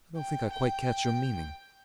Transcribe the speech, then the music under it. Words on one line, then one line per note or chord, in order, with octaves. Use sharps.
I don't think I quite catch your meaning.
G5
G5